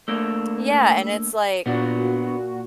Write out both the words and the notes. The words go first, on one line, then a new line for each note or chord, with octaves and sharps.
Yeah, and it's like
A3 A#3 D4
A#2 B3 D4 F#4